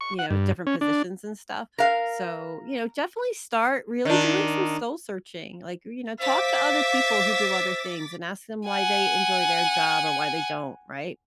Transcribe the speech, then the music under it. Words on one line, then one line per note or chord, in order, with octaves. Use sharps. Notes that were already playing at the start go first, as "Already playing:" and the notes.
you know, different positions and stuff. So, you know, definitely start really doing some soul searching. Like, you know, talk to other people who do other things, and ask them why they enjoy their job or why they don't, right?
C#6
F#5
G2
C#4
D4
A#4 F5
D#3 D4
C5 E5 F5 D6 A6 B6
F#5 G#5